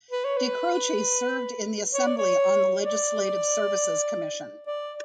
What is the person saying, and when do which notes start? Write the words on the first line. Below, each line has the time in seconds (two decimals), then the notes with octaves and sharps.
DeCroce served in the Assembly on the Legislative Services Commission.
0.11 B4
0.24 C#5
0.37 B4
1.93 C#5
2.05 D5
2.17 C#5
2.84 D5
4.66 D5